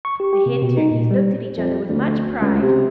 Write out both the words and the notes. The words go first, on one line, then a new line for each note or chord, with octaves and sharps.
The Hen Turkeys looked at each other with much pride.
C#6
G4
G4
C3
B2
D#4
A#2
G3
F2
D2
C#2
C3